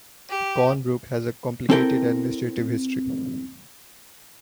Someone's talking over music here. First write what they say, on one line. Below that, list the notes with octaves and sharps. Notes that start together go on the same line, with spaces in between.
Colnbrook has a complicated administrative history.
G4
C4 E4 A4 A#4 G5